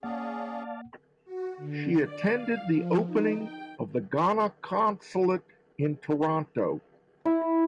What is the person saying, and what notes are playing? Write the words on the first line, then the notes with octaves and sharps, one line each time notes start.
She attended the opening of the Ghana Consulate in Toronto.
A#3 C#4 G#4 D5 F5 F#5 A5
F#4
D3
D5
F5
F3
D#4
G5
E4